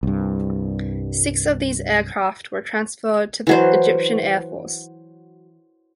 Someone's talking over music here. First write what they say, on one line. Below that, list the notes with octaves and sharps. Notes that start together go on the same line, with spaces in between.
Six of these aircraft were transferred to the Egyptian Air Force.
C2 G2
E3 F#3 C5